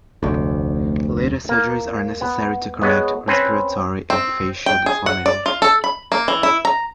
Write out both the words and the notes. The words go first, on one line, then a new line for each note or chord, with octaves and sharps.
Later surgeries are necessary to correct respiratory and facial deformities.
F1 D2
A#3
B3
G#3 B3 C#5 D#5
C4 C#4 B4 C5
C4
G5
G#4
F#5
D5
F4
A4
B5
A#3
E3
E4
A#5